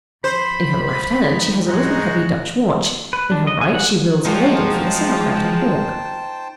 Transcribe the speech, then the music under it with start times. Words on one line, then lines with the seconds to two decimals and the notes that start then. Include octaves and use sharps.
In her left hand she has a little heavy Dutch watch; in her right she wields a ladle for the sauerkraut and pork.
0.24 F2 C5 B5
1.26 F2 D#4
1.68 F2 A2 E3 G#3 D#4 F#4
3.13 B4
3.31 D4
3.47 D#5
3.61 G#5
3.74 F#5
4.25 F3 G#3 D#4 F4 F#4 C5 G5 A5